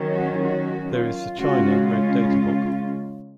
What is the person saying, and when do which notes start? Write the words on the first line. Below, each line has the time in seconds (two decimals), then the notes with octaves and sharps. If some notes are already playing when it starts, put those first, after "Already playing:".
There is the China red data book.
Already playing: D#3 F#3 C#4
0.13 F#4
0.44 F#4
0.90 F4
1.37 C#3 G#3 C#4 F4 F#4
1.84 F4